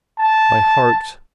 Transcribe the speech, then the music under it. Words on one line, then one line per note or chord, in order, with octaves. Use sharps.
My heart.
A5